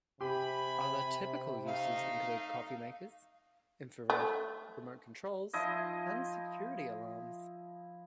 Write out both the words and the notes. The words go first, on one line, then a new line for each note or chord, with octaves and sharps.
Other typical uses include coffee makers, infrared remote controls, and security alarms.
C3 G4 G#5 B5
A3 D#4 F5
A3
F3 E4 D#5